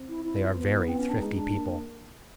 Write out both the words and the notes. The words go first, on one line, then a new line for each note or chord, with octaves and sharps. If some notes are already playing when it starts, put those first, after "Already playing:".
They are very thrifty people.
Already playing: C4
E4
E4
F4
B3
E4
C4
C#4
D4
G#3 D#4
D4
A#3